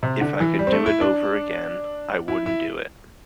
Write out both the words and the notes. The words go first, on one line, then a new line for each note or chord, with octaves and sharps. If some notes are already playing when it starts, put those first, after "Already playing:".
If I could do it over again I wouldn't do it.
C3
D3
E3
G3
C4
A3
E4
D4
E4
E4